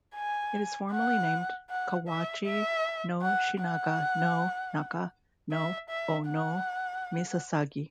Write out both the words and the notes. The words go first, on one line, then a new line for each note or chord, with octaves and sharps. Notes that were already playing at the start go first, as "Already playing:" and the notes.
It is formally named "Kawachi no Shinaga no naka no o no misasagi".
G#5
F#5
F#5
E5
E5
F#5
F#5
E5
E5
F#5